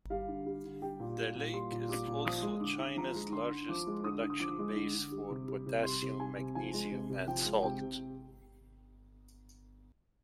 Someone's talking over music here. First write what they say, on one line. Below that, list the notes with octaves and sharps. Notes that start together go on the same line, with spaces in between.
The lake is also China's largest production base for potassium, magnesium, and salt.
G3 F5
D3
G3
D3
G3 G5
A#2
G3
A#2
G3 C6
A#2
G3 D6
A#2
F3 D#6
G#3
D3 D6
D3
F3 A#5
G#3
D3 C6
D3
F3 D6
G#3
D3 D#6
D3
D#6
F3 D6
G#3
D3
D3
G3
C3
G3
C3
G3 C6
C3
G3 G#5
C3
F3 G#5
G#3
C3
C3
F3 G5
G#3
C3 G5
C3